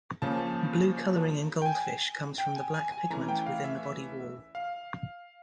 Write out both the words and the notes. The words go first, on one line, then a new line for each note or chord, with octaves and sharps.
Blue colouring in goldfish comes from black pigment within the body wall.
C#3 F3 A#3 C#4 A5
G5
G#5
G5
G#5
G#5
G#5
E3 A3 C#4 A#5
G5
F5
E5
F5